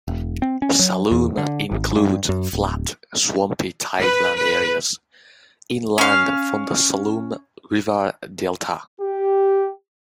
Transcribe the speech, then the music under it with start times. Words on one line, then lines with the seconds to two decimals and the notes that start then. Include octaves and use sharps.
Saloum includes flat, swampy tideland areas inland from the Saloum River delta.
0.08 E1
0.42 C4
0.62 C#4
0.79 F#3
1.11 E2
1.38 D3
1.71 G#1
1.95 G2
2.29 F#2
2.53 D1
3.99 B4
4.37 B4
5.98 C#4 F5
9.01 G4